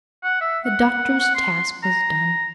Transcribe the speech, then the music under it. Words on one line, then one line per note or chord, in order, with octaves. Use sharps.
The doctor's task was done.
F#5
E5
F#5
F#5
C6
A#5